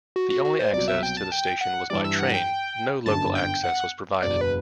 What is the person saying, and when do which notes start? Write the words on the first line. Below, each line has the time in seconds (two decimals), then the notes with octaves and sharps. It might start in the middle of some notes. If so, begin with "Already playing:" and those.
The only access to the station was by train; no local access was provided.
0.16 F#4
0.30 F#4
0.45 F#4
0.59 C5
0.73 C2 B2 F#3 D5
0.88 E5
1.03 G5
1.17 A5
1.32 G5
1.61 F#5
1.90 G2 E3 G3 D5
2.04 E5
2.19 F#5
2.34 G5
3.06 G1 F#2 D3 A5
3.35 G5
3.64 F#5
4.22 F#1 E2 B2 D5
4.41 B4